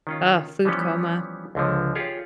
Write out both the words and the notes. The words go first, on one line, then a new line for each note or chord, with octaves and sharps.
uh, food coma.
D#3 C#4 F4
E3 F3 G3 B3 C#4
C#2 D3 F3
F4 G4 G#4 C#5